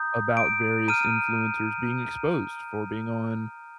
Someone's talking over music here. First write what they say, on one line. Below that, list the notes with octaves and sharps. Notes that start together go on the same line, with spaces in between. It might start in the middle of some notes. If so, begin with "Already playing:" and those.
about various influencers being exposed for being on
Already playing: A#5 D#6 G6
D7
A#5 F6 D#7